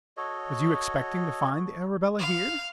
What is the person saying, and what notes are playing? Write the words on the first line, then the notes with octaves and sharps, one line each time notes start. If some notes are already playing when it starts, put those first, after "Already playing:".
"Was you expecting to find the Arabella here?"
F#4 A4 C#5 D#5
F5